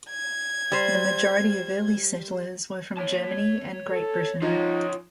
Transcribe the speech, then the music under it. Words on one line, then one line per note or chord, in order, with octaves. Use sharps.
The majority of early settlers were from Germany and Great Britain.
G#6
G3 C5
C#5 A5
A4
F3 C#4 D#4 F4 C#5